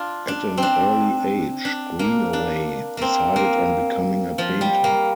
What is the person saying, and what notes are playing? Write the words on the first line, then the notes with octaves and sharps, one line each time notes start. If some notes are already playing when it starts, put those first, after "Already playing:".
At an early age Greenaway decided on becoming a painter.
Already playing: D4 F4
D4
C4 D4
D4
A#3
D4
A#3 C4
A#3
F3
G3
A#3